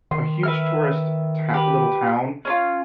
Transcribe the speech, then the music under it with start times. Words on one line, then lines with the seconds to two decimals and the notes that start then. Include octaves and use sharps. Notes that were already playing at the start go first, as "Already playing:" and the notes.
a huge tourist, eh, tow little town,
0.11 D#3 C6
0.43 B4 E5 F6
1.54 G4 B4
2.45 C#4 D4 F4